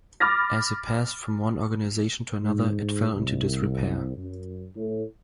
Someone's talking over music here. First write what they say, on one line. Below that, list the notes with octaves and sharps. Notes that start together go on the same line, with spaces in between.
As it passed from one organization to another it fell into disrepair.
B5 D6 F6 A6 A#6
G#2
C2
F#2
A2